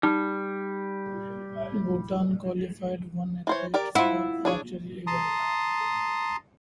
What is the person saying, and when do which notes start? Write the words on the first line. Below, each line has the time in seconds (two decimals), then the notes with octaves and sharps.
Bhutan qualified one athlete for Archery event.
0.03 G3 D#4
3.47 E3 C5 C#5
3.74 G4 A#4 D5
3.95 E4 F4 F#5
4.45 D4 G#4 C#5
5.07 A5 A#5 C6 D#6